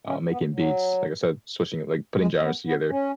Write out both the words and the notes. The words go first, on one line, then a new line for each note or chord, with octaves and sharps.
um, making beats, like, I said, switching like, putting genres together.
C#4
B3
F#3
G#3
B3
B3
C#4